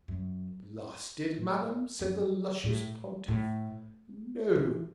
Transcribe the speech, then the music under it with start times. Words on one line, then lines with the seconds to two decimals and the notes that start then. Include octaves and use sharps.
Blasted, Madam, said the luscious Pontiff; No!
0.08 F#2
1.36 A2
2.00 F#2
2.64 A2
3.28 A2
4.56 E3